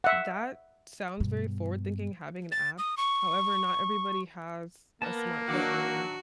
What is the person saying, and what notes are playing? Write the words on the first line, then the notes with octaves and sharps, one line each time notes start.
that sounds very forward-thinking, having an app, however, not everybody has a smartphone
E5 F#5
G2 B2
A6
D#6
C#6
A#3 B3 A#4 A5
D#3 F#3 D4 F#4 F#5 D6